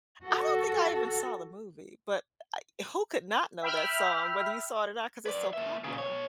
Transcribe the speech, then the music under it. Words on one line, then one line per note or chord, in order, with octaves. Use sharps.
I don't think I even saw the movie, but I who could not know that song whether you saw it or not, 'cause it's so popular.
F#4 A4
E5 G5 B5 F6
B4 D5
A#3 E5
A#2 C#3
B2 C#5